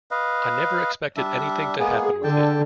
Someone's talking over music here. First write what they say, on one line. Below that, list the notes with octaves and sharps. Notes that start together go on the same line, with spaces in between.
I never expected anything to happen with it.
B4 D#5 F5
G3 D4 E5
G#3 A#3 B3 G#4
D3 G5 A5